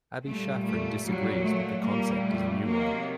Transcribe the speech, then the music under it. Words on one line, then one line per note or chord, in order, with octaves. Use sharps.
Avi Shafran disagrees that the concept is a new one.
A#2 G3 A3
A3
A#2 F#3 G3
A3
A#2 G3 A#3
A3
C3 D#3 F#3 A#3